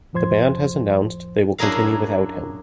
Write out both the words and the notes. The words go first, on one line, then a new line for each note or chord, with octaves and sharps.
The band has announced they will continue without him.
F2 A2 F3 C5 C6 G#6
F#2 D4 E4 G#4 A#4 F5